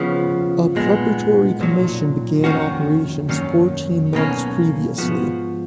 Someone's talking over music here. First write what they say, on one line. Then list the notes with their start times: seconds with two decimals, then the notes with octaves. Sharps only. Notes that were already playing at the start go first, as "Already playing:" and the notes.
A Preparatory Commission began operations fourteen months previously.
Already playing: C#3 F3 B3
0.75 B1 A#2 G#3 B3
1.60 B1 A#2 F#3
2.44 F2 D#3 A#3 C#4 F#4
3.29 F#2 D#3 F#3 A#3 C#4
4.13 B1 B2 A#3 C#4
4.98 G#2 F3 B3 F#4